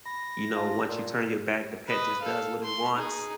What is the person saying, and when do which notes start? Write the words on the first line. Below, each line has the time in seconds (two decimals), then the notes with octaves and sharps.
you know, once you turn your back, the pet just does what it wants?
0.06 B5 A#6
0.56 F4 A5
0.89 A#2
1.88 B4 D#5
2.21 A4 F5
2.63 C6
2.95 D#4 G#4